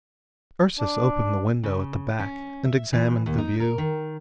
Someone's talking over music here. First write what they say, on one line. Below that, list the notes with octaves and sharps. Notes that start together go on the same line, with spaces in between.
Ursus opened the window at the back and examined the view.
D4
C#3
C#4
E5
E3
D#2
D#4
A#4
D#3